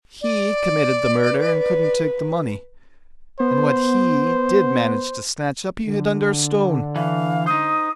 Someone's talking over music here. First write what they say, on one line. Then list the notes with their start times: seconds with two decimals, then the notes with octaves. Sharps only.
He committed the murder and couldn't take the money, and what he did manage to snatch up he hid under a stone.
0.22 D5
1.28 B4
3.40 B3 C5
5.87 D3
6.96 E3 F5
7.46 D#4 C5 D#6